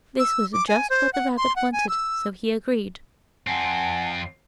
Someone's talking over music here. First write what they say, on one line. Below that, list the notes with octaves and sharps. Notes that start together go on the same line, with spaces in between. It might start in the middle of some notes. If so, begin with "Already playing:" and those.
This was just what the rabbit wanted, so he agreed.
E6
D6
G#5
C5
F#5
C6
F#5
G#5
E6
F2 C4 F#5 G#5 A5